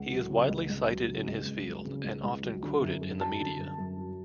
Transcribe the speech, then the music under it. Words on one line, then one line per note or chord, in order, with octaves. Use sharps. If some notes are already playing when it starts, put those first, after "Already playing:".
He is widely cited in his field and often quoted in the media.
Already playing: C#2 F#5
F#3
C#3
C#2
C#2
F#3
C#3
C#2
C#2
F#3
C#3
C#2
C#2
F#3
D3
F#2
F#2
F#3 A5
D3
F#2
F#2
F#3